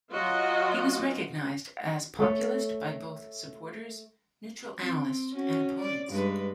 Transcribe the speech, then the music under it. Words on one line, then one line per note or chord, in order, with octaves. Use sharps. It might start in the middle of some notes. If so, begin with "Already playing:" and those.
He was recognized as populist by both supporters, neutral analysts, and opponents.
F#3 F4 F#4 D#5
A3 A4 C#5
C4
C#4 F#4
D5
G2 G#3 B4